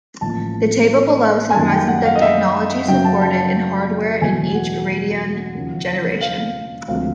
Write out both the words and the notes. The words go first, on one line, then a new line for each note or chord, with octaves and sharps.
The table below summarizes the technologies supported in hardware in each Radeon generation.
A1 A2 F3 A#3 A5
G#5
F#2 D#3 G3 A#3 A5
G5
F#5
F5
D#5
E5
F#2 C#3 F#3 G5
A5
A5
A5
E2 B2 F#3 A3 G#5
F#5
D#2 C#3 F3
F5
D2 C3 F3 G#3 F5